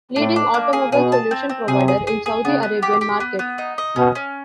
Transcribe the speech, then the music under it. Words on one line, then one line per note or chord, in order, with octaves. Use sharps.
Leading automobile solution provider in Saudi Arabian market.
A2 D4
D4
A#3
G#4
B2 G#4
A5
C4
C4
C3 G#4
G#4
G#4
G#4
C#3 B3
B3
G4
G4
B3
B3
D#4
D#5
B2 C#4
C#4